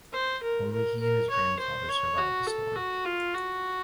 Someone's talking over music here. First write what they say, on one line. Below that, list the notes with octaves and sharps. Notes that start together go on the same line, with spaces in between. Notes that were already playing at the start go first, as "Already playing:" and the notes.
Only he and his grandfather survived the storm.
C5
A#4
A#4
A#4
C#5
C5
C#5
F#4
A4
F#4
F4
F#4